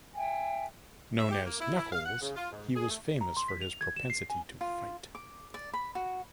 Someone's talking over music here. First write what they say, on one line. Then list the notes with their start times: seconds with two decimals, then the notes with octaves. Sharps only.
Known as "Knuckles," he was famous for his propensity to fight.
0.15 E5 G5 G#5
1.18 E5
1.30 G4
1.45 A#3
1.60 E4
1.76 E4
1.92 F5
2.05 F#5
2.20 C#3
2.36 F4
2.51 G#2
2.76 G#4
2.89 A3
3.21 A#5
3.37 C6
3.48 B6
3.62 F7
3.81 G#6
3.96 E7
4.10 C7
4.30 G#5
4.61 F4
5.15 D6
5.54 D5
5.73 B5
5.95 F#4